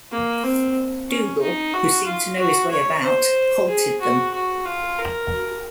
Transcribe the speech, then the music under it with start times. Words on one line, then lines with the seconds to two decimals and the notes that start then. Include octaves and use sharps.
Dougal, who seemed to know his way about, halted them.
0.12 A#3
0.44 C4
1.09 C#4
1.42 D#4
1.74 F#4
2.06 F4
2.39 F#4
2.71 C#5
3.04 C5
3.68 G#4
4.01 F#4
4.34 F#4
4.65 F4
4.98 A#4